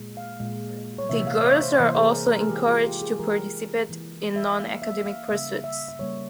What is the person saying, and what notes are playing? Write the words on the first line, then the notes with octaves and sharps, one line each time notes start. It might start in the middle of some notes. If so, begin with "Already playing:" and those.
The girls are also encouraged to participate in non-academic pursuits.
Already playing: A#2 G#3
F5
A#2 G#3
C#5
C3 E3 A#3 E5
F5
E5
C#5
C5
C3 E3 A#3 C5
G#4
A#4
A#4
G#4
E3 G#3 G4
F4
G4
G#4
E3 G#3 A#4
E3 A#3
E5
E3 A#3 F5
E5
F5
C#3 G3 A#3 E5
E5
E5
C#3 G3 A#3 C#5